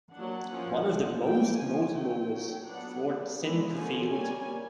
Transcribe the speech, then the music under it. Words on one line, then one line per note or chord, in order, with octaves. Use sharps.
One of the most notable was Fort Sinquefield.
F#3 A#3 D4 F#5
F3 A#3 C#4
D3 F3 G#3 C4
E3 A3 C#4 G5
F3 A#3 C#4 G#5
F#3 A3 C4 G5
F#3 A3 C#4
F#3 B3 D4 F#5
G3 A#3 D4
E3 G#3 B3 D4
D3 F3 A#3 C#4 G#5
G3 A#3 C#4 G#5